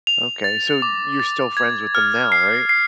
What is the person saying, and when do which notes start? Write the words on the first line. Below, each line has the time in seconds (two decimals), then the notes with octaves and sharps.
Okay, so you're still friends with them now, right?
0.07 F7
0.44 A6
0.82 D6
1.20 A6
1.57 G#6
1.95 F6
2.32 C7
2.69 C7